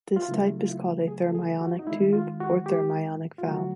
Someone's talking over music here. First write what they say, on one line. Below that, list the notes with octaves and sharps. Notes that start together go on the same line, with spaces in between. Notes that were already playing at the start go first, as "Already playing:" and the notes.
This type is called a thermionic tube or thermionic valve.
F4
C#3 F#3 A3 E4
F4
E4
G#4
A4
G#4
F#4
D#4
D#3 G#3 E4
F4
F#4
G4
F4
D3 F#3 A3 F#4